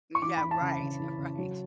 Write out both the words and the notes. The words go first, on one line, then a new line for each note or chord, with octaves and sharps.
Yeah, right, right.
C#6
E3 D6
E3 B5
A5
C#3
C#3
E3
C#3
F#3